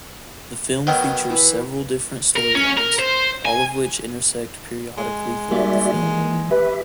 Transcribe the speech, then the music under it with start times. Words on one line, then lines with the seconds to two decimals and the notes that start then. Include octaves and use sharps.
The film features several different storylines, all of which intersect periodically throughout the film.
0.87 B2 D#3 F#3
1.30 E3 E4 B4
2.36 A#4
2.55 C#4
2.77 A#4
2.99 C5
3.45 G#5
4.98 G#3
5.51 G3 A#3 D#4 F#4 D5 E5
5.94 E3
6.51 G4 B4 E5